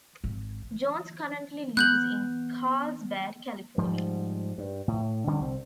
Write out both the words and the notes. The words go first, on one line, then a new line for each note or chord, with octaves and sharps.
Jones currently lives in Carlsbad, California.
G#1
B3 F#6 G6 F#7
G#2 F3 G3
G2
A2
D3 G3 C#4
C2 C4